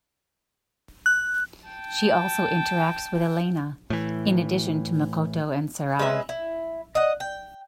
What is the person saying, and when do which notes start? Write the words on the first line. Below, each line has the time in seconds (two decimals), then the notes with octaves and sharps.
She also interacts with Elena, in addition to Makoto and Sarai.
1.06 F#6
1.68 G5 A5
3.90 A2 E3
5.99 G#3 C#4 B4 E5
6.29 E4
6.95 D#5 F#5
7.20 G5